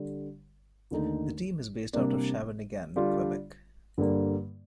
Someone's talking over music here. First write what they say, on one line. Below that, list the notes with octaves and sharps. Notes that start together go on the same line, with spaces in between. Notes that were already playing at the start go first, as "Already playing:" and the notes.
The team is based out of Shawinigan, Quebec.
Already playing: D3 G3
D#2 D3 A3 D#4
C3 G3 A#3 D4
D3 G3 D4 F4
G2 D3 G3 A#3